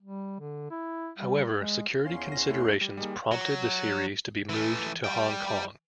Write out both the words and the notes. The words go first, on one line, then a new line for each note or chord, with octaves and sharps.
However, security considerations prompted the series to be moved to Hong Kong.
G3
D3
E4
G3
G#3
E2 C#4 F5 C6
A#6
A3 E4
G3
D#3 G3 G#3 A#3
F#3
E3 A3
G3 G5